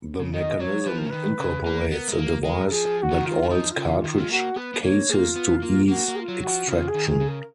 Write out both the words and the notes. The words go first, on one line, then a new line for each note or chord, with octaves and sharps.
The mechanism incorporates a device that oils cartridge cases to ease extraction.
C#3
D#3 D#5
F#3 C#5
F3 B4
A#4
C#3
D#3 B4
C#3
A#3
B3 A#4
G#3
A#3
G#3 A#4
F3 G#4
G#4
F#4
D#3
F4
D#3
F3 D#4
F4
C#3
F4
D#3
F4
G#3
A#3 F#4
B3 B4
B3
A#3 C#5
A#3 F4 G#4
B3
A#3
A#3 F#4
A#3
G#4
F4
F#3
F#4
F3
C#3 F4
G#4
D#3
G#4
C#3
A#4